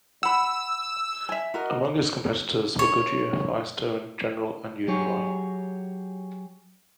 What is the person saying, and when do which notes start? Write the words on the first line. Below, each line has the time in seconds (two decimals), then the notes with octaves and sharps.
Among its competitors were Goodyear, Firestone, General and Uniroyal.
0.23 F#5 B5 E6
1.29 E5 G#5
1.54 F#4 A#4 D#5
2.79 C#5
4.88 F#3 G4 G#4 C#5